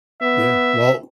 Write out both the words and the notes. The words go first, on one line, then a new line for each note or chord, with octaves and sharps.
Yeah, well,
B3 E5